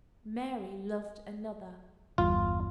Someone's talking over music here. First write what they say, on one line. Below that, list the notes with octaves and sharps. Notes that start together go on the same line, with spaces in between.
Mary loved another!
G1 E2 F4